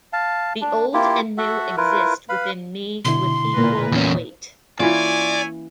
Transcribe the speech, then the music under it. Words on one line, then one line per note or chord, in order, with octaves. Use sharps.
The old and new exist within me with equal weight.
F5 A5
D4
A#3 E4 F4 G4
F#4 A4 E5 F#5
E4 F4 A#4 B4
B4 F5 B5
B2 D3 E4 C6
A#2 A#4 B4
E2 A#2 C#4
E3 A#3 C#4 E4 F4 C#5 D5 G#5